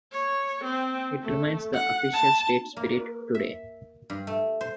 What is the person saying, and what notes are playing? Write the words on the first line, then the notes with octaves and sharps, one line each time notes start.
It remains the "Official State Spirit" today.
C#5
C4
A3
F#5
A5
A#3
E5
G2
A3
C5